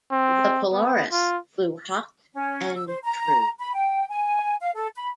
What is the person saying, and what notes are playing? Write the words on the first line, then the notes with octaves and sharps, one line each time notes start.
The Polaris flew hot and true.
C4
B3
F4
C#4
E6
C5
A#5
B5
G5
G#5
F5
A4
B5